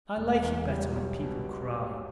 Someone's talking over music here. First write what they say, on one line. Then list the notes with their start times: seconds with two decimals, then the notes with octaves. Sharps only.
I like it better when people cry.
0.17 E1
0.43 E2
0.69 G3
0.96 B1
1.22 B2